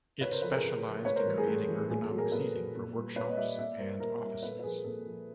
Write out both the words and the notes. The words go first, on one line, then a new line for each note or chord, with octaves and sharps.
It specialised in creating ergonomic seating for workshops and offices.
C#3 B4 C#5
A#4 C5
F3 A4 B4
G#4 A#4
C#3
F3
A2 B4 C#5
A#4 C5
E3 G3
G#4 A#4
A2 A4
E3 G3
A#2 G#4
A4
F#3
G#4 A#4
A#2 A4 B4
F#3
A#2
G3
A#2 B4 C#5
D#5
G3 D5 E5
A#2 D5 E5
G3 A#4 C5
A#2 A#4 C5
G3
A#2 A4 B4
B4
F3 G#4 A#4
A#2 A4
F3